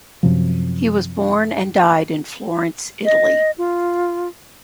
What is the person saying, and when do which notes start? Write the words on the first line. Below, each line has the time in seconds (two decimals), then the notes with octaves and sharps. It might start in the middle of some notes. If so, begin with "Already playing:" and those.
He was born and died in Florence, Italy.
0.23 F#2 C3 F3
3.05 D#5
3.58 F4